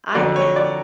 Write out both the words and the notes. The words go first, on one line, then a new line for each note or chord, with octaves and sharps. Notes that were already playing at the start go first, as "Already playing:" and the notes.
I can
F2 D3 F#3 D5
C#5
D5